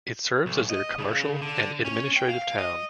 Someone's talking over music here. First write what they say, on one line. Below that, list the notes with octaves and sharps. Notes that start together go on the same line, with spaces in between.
It serves as their commercial and administrative town.
B1
D#5
C#3
D3
C#4
G5
F5
D#5